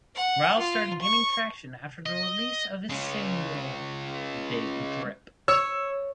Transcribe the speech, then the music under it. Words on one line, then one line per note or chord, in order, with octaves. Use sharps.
Ryles started gaining traction after the release of his single "Big Drip".
F#5
F4
C#6
D#5
G#3 C#4
C#5 E6